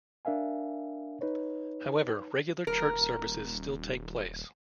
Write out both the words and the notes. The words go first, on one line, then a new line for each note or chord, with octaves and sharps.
However, regular church services still take place.
D4 A#4 E5 F5 G#5
D#4 B4 C#5
D#1 A#4